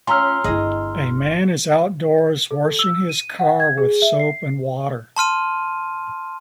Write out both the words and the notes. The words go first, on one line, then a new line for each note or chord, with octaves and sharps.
A man is outdoors washing his car with soap and water.
C#4 F4 G#5 A#5 C6 E6 F6
G1 E4 G#4 D#5
A4
E6
D#7
F#5
G#6
G#4
E5
C7
A5 C6 F6 D#7